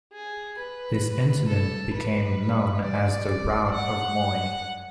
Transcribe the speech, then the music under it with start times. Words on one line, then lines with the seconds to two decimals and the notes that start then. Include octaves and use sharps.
This incident became known as the "Rout of Moy".
0.13 G#4
0.58 B4
1.48 A4
1.93 B4
2.83 D5
3.74 F#5